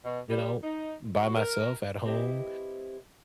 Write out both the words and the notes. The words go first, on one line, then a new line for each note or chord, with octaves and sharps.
you know, by myself at home,
B2
G3
D#4
F#4
A#4
C4 E4 G4 B4 C5 D#5